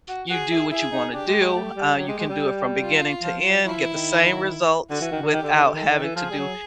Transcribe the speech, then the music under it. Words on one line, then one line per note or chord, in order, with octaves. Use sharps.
you do what you wanna do. Uh, you can do it from beginning to end, get the same results without having to do
F#4
F#4 G#4
E4
E4 G#4
D#4
D4 G4
G#3
G#3
A3
G3
F#3 G4
G#3
G#3
G3
F4
F3
F#3
F3 E4
E3
D#3
D3 F#4
E3
D#3
D3
D#3 G4
D3
D#3
D3
D#3 A4
D#3
E3
F3 G#4
G3
F#3